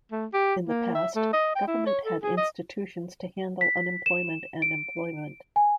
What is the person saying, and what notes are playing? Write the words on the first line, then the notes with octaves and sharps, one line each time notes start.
In the past, government had institutions to handle unemployment and employment.
A3
G4
A#3
E5
A3
D#5
G5
E4
C#5
A4
G#4
D#5
B6
E7
D7
G#5